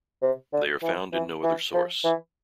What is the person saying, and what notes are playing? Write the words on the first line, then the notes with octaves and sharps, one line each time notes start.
They are found in no other source.
C3
D3
E3
E3
E3
F3
E3